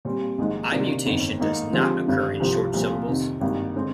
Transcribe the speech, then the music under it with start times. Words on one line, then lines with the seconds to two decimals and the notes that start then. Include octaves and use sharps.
I-mutation does not occur in short syllables.
0.05 A#2 G3 C4
0.38 A#1 G#2 D#3 G#3
0.72 C3 D#3 A#3 D4
1.06 G1 F2 D#3
1.40 G#2 D#3 A#3 D#4
1.73 D3 F3 G#3 C4 G4
2.07 G#1 G2 D3 G3
2.40 C2 C3 F3 C4 G4
2.73 C2 A#2 F3
3.08 F2 C3 D#3
3.41 G#1 G2 D#3 A#3
3.76 D3 G#3 C4